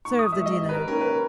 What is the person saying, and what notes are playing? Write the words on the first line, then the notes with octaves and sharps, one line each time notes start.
"Serve the dinner."
G#2 C#6
D#6
E3 G#3 E5
D#5
G#2
B4
A#4
D#3 A#3 C#4 A#4
B4